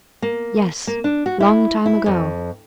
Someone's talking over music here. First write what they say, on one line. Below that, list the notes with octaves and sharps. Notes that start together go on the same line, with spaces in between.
Yes, long-time ago.
A#3
A#3
D4
F#4
E4
E4
F2